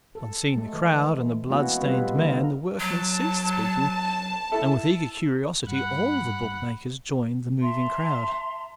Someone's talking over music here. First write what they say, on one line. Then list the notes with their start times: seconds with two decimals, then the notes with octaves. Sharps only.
On seeing the crowd and the bloodstained man the workman ceased speaking, and with eager curiosity all the bootmakers joined the moving crowd.
0.15 A4
0.56 G#3 A3
0.73 E3
1.49 G#3 A#3 B3 C#4 E4 F#4
1.81 G3 G#3 B3 F4 B4
2.15 D3 A#3 D#4 A#4
2.80 F#3 A5
4.52 E4 A4
5.67 G2 F#5 B5 F#6
7.61 E5 A5 A#5 C6